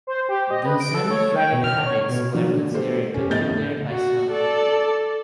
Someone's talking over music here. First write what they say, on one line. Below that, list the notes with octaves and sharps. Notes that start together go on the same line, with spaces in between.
Dunsany's writing habits were considered peculiar by some.
C5
G4
D#5
B4
D7
A4
C#5
G5
B2
F6
C#5
B2
B2 D#3 F3 F#3
D3
A3 G4 A4 C5
C#4 G4
F1 A2 B3 D#5 G6 A6
F#4
A4 D5